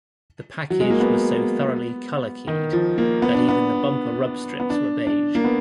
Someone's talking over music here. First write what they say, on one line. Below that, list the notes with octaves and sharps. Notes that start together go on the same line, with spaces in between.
The package was so thoroughly color-keyed that even the bumper rub strips were beige.
F#3
G#3
A#3
B3
D#3
F3
A#3
B3
D4
B3
B3
D4
D4
A#3
B3